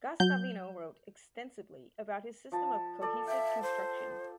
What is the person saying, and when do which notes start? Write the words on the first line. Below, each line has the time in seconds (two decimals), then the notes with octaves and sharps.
Guastavino wrote extensively about his system of "Cohesive Construction".
0.20 F#3 G6
2.52 F3 A5
3.02 A4 D5
3.27 E5 G5
3.62 C5